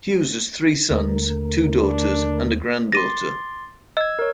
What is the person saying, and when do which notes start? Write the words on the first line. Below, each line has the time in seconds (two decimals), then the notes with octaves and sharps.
Hughes has three sons, two daughters, and a granddaughter.
0.90 D#2 D3 A3 A#4
1.80 D4
2.92 C6 D6 A6 A#6 D#7
3.97 D#5 E6 G#6
4.19 A#4 C#5